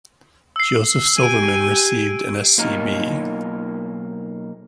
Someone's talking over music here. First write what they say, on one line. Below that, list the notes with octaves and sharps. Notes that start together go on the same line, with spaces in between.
Joseph Silverman received an Sc.B.
E6 C7
G4 G#5 D7 D#7
B1 A#3 D#4 A#4